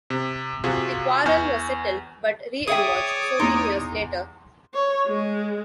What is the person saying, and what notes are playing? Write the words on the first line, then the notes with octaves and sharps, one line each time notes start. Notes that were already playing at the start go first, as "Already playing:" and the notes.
The quarrel was settled, but reemerged fourteen years later.
C3
C3 F4 F#4 G#4
E2 G#5 C#6 F6 G6
G#4 C#5 D5 E5 G5 D#6
E2 D#4 A#5 C6
C#5
G#3